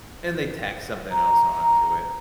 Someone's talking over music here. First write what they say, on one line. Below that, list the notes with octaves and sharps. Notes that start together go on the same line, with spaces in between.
and they tack something else onto it.
A#5